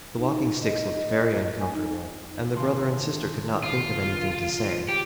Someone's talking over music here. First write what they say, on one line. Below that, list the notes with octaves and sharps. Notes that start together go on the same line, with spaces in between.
The Walking-Sticks looked very uncomfortable, and the brother and sister could not think of anything to say.
D#4
D#5
G#5
D#4
G#1 C#3 C6
F4
G4